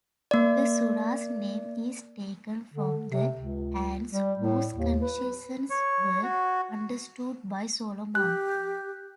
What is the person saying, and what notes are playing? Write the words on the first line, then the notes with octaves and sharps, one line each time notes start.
The sura's name is taken from the ants whose conversations were understood by Solomon.
A#3 D5
D3
C3
C#2
G3
A2
D#2
B4
C#5
F#4
G4 F#6